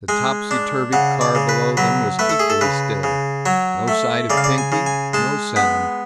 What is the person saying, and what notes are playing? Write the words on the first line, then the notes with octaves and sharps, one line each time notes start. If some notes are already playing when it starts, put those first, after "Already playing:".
The topsy-turvy car below them was equally still; no sight of Pinky, no sound.
G#3 G#5
D4
C#3 F#5
D5
C#3
B4
F#3 B4
A3 B4
A4
G#4
A4
C#3 B4
C#3
F#3 C#5
A3
C#3 D5
F5
D5
G#5
C#3
G#5
G#3 A5
B3 B5